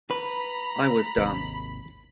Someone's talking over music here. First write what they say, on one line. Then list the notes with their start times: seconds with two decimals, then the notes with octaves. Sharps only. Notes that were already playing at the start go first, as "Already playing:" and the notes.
I was dumb.
0.11 B4 A#5 B5
1.18 G#1 D#2 C3